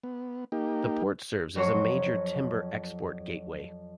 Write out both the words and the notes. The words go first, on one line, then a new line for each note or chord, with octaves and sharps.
The port serves as a major timber export gateway.
B3
A#3 D#4 G4
F2 F#3 C5 C#5